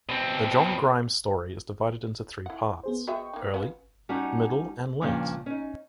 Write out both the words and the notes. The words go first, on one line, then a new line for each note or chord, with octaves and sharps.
The John Grimes story is divided into three parts - Early, Middle and Late.
B2 C4
E4 F#5
B3 G#4 C5
B3 F#4 G#4 D#5 E5 G5 C#6
A#3 D#4
C#4 F4 B4 F#5
G3 C#4 D#4 F#4 F#5 A5
G2 A#2 C#3 F3
C#4 D#4